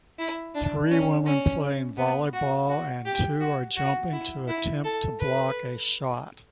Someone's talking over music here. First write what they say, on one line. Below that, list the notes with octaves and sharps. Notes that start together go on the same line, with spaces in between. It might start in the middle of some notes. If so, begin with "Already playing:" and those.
Three women playing volleyball and two are jumping to attempt to block a shot.
E4
D4
C#4
C#4
B3
F#4
F#4
G4
F#4
F#4
E4
E4
A4
B4